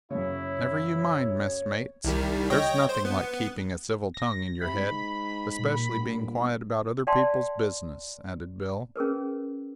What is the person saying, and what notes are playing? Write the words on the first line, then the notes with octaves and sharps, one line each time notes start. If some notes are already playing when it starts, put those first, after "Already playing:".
"Never you mind, messmates, there's nothing like keeping a civil tongue in your head, especially being quiet about other people's business," added Bill.
F#2 C#3 E4 C#5
C2 D#3 G3
C#5 D#5 G5
C5
B3
A#6
C3 B5
G#2
A#2 G3
G1
D5 F5 G5 A5 C6
C#4 G#4 A#4 B4